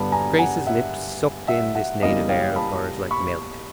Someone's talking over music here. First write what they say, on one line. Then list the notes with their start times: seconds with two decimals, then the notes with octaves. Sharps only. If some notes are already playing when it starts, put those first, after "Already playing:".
Grace's lips sucked in this native air of hers like milk.
Already playing: G2 D3 G3 B3 D4 A5 B5
0.12 G#5 A#5
0.39 F#5 G#5
0.67 E5 F#5
1.48 E5 F#5
1.75 E5 F#5
2.01 E2 C#3 E3 G3 A#3 D#5 F5
2.29 F5 G5
2.56 A5 B5
3.11 B5 C#6